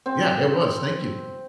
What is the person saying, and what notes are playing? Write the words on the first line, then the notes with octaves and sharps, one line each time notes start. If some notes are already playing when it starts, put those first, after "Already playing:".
Yeah, it was, thank you.
C4